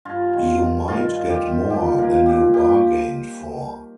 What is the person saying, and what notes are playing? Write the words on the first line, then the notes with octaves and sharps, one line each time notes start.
You might get more than you bargained for.
G2 F4
D#3
D#3
G2 F4
D#3
G4
D#3
A#2 G4
F3 A#3
A#2 G4
F3 G4